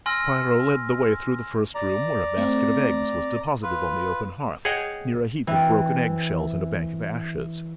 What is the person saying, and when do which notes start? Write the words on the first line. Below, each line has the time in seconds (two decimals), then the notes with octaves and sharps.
Piero led the way through the first room, where a basket of eggs was deposited on the open hearth, near a heap of broken egg-shells and a bank of ashes.
0.06 G#5 C6 E6 F6 A#6
1.75 D5 A#5
2.37 A3 C4
3.63 F4 B4
4.65 G#4 C#5 D#5 F#5 G5
5.47 E3 C4